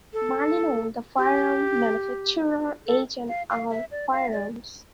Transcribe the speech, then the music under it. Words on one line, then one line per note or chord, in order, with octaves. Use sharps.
Marlin owned the firearm manufacturer H and R Firearms.
A4
G4
A4
F5
F5
E5
D5
F5
D5